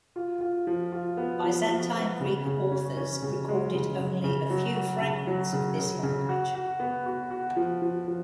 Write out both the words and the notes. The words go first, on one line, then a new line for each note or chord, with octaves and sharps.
Byzantine Greek authors recorded only a few fragments of this language.
F4
F4
F3
F4
B3
F3
F3
B3
C#3
C#3
C#4
C#4
C#3
G#3
C#3
C#3
C#3
F#3
F#4
C#3
F#3
C#3
C#3
C#3
F#4
F#4
B3
F#4
F#4
F3
F3
F3